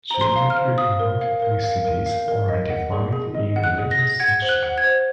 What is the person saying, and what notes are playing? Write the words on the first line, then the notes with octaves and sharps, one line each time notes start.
Geometric multiplicities are defined in a later section.
C5 A#5
C6
F5
F6
C5
F5 D#6
A#4
F5
A#4
F5
A#4
F5
A#4
D#5
F#5
G#4
G#4
D#5
F#5
F#6
G#4
A#6
G#4
F#5 G#6
C5
F#6
F#5
G#6
C5